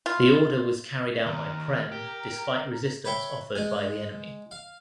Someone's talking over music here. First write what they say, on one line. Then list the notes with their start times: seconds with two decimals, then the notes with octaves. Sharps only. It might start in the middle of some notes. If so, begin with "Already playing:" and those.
The order was carried out by Prem despite resistance offered by the enemy.
0.06 F4
1.26 D#2 A#4
1.92 G4
3.05 B4 C#5 E5 G5
3.55 G#3 G#5
4.51 F5